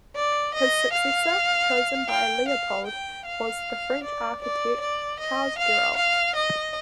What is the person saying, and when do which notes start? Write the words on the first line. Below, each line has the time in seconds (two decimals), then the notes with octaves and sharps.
His successor, chosen by Leopold, was the French architect Charles Girault.
0.15 D5
0.54 D#5
0.93 F5
2.09 G5
2.48 F5
2.87 G5
3.25 F5
4.03 D5
4.42 D5
4.80 D5
5.19 D#5
5.58 F5
5.96 F5
6.35 D#5